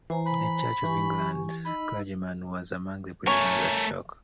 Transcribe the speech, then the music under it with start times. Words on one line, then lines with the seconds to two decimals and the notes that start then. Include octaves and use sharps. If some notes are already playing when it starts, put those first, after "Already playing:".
A Church of England clergyman was among the prisoners at York.
0.10 E3 C5 G#5 A#5
0.26 B5
0.84 E3 G4 G#5 C#6
1.65 D#4 D#5 B5 E6
3.27 A3 A#4 C#5 G#5